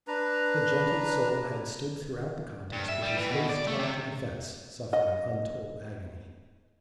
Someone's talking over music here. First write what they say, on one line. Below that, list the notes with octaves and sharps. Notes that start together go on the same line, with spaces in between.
The gentle soul had stood throughout the contest with his face turned to the fence, suffering untold agony.
D4 B4 A#5
G2
E5
G3
E3
B2
D5
A3
C3
D#5 F#5